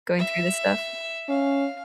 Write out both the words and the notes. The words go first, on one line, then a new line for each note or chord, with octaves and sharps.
going through this stuff?
E5
C#4 F5